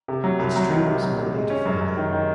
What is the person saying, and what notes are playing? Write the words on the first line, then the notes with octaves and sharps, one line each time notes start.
It streams Monday to Friday.
C3
F#3
C2
F#3
D#3
C3
F#3
C3
G#3
C#4
F#2
F#2
D#3
D#3